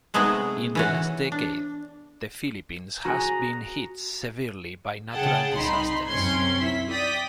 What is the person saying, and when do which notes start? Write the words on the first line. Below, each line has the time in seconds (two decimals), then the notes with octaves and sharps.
In the last decade, the Philippines has been hit severely by natural disasters.
0.14 C3 G#3 A3 B3 D#4 G#4
0.75 E3 C#4 F#4
1.32 D4
3.05 F#4 G#4 A#5
5.12 C#3 G#4 F#5 G5 A5
5.54 C2 D#4 B5 C6
6.07 F#2 C3 C#4 C6 G#6
6.59 E4 B6
6.89 D5 G5 D#6 B6